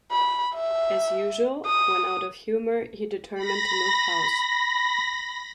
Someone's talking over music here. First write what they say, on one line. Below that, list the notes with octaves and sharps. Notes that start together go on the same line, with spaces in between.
As usual, when out of humour, he determined to move house.
B5
E5
D#6
B5 A#6